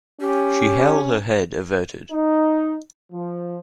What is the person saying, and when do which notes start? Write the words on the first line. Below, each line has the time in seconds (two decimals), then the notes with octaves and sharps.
She held her head averted.
0.21 C#4 G4
2.12 D#4
3.12 F3